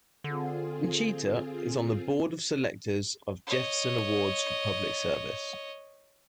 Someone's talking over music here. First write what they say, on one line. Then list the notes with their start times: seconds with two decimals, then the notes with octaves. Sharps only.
Nechita is on the Board of Selectors of Jefferson Awards for Public Service.
0.24 D3 C4 F4 G#4
3.47 C#5 D#5